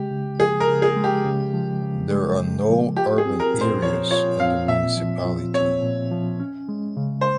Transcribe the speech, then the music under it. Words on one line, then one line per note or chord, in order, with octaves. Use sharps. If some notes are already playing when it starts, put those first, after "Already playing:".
There are no urban areas in the municipality.
Already playing: C#3 G#3 G4
C#3
F3 G#4
A#4
C#3
G#4
G#3
G4
C#3
F3
C#3
G#3
C#3
F3
F4 G4
G#4
C4
A#4
A#2
C5
F3 C#5
F4 C#5
C4 F5
A#2 E5
F3
F4
C4 C#5
A#2
F3
C#4
G#3
C#3
C5